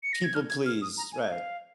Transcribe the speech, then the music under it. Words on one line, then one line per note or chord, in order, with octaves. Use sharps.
People please, right.
C#7
A#6
G#6
F6
G#6
F6
D#6
A#5
G#5
F5